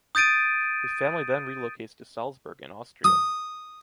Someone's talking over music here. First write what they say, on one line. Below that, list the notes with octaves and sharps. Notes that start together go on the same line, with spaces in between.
His family then relocates to Salzburg in Austria.
D#6 G6 A6 D7 D#7
D#6